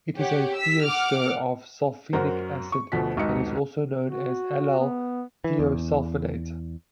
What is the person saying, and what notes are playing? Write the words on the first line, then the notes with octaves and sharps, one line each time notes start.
It is a thioester of sulfenic acid and is also known as allyl thiosulfinate.
G4 C#5 F#5
E6 B6
F#5 D6 F6
F#2 F#4 A#4 C5
C#6
D2 B2 F3 A3 B6
D#1 B1 G#2 D#4 C#7
F#4
B3
E3
E2